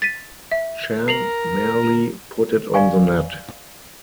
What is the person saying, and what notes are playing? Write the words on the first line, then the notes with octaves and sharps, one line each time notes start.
Chan merely put it on the net.
A6 B6 D#7
E5
A#4 C7 F7 F#7
D5 F5 G#5 C#6